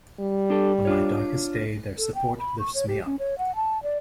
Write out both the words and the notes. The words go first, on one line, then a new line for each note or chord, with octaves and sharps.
On my darkest day their support lifts me up.
G3
D4 G4 A4
D4 F4 C#5
A4
G5
B5
C#6
C#5
G4
C#4
C#5
F#5
A5
D5